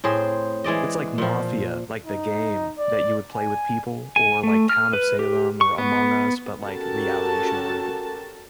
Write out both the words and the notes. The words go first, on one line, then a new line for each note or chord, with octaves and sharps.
it's like mafia, like the game that you would play with people, or like Town of Salem, or Among Us, but like, reality show version.
A2 C4 G#4 C5
E3 G#3 D5 D#5
A#2 F3
D#4
D5
G#5
G#5
A3
F6
B4
G4
C#6
B3
C#4 F#4 G4 A4 A#4 A5